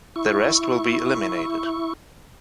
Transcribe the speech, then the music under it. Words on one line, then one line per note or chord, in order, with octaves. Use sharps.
The rest will be eliminated.
E4 C#6